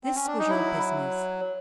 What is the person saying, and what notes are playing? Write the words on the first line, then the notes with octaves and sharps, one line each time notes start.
This was your business!
C4
C#4
D4
D#4
F#3 E4